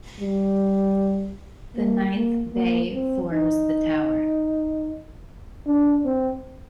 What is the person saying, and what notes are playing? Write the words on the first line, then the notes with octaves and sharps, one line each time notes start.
The ninth bay forms the tower.
G3
A#3
A#3
A#3
C4
D#4
D4
C4